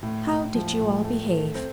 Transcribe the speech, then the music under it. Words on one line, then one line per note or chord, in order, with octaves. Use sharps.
How did you all behave?
A2
A2
F3
A2
A3
A3
C4